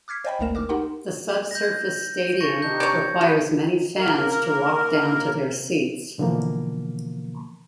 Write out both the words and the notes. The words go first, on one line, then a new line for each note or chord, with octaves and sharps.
The subsurface stadium requires many fans to walk down to their seats.
D6 F6 G#6 B6 C7
C5 D5 D#5 G5 G#5 B5
G#1 D2 A3 A#3 A#4 E7
A#4 D6 F6
D#4 G4 A#4 F#5 C6
G6 A#6
A5 C#6 A#6 C#7
C3 D4 D#4 G6
C#5 D5 G6 G#6 C#7
E4 F#4 A4 B4
A#3 A#4
B2 D3 E3 F3 A#3